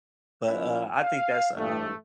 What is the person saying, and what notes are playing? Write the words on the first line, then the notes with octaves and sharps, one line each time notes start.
But, uh, I think that's, um,
F3 A#3 C#4 E4 E5
F5
G2 E3 A3